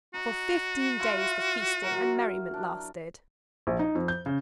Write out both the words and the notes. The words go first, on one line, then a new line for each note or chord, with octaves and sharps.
For fifteen days the feasting and merriment lasted.
D#4 F#4
E4 F4 C6
F#3 A#4
D4
A#1
D#4
F2
G6
C#3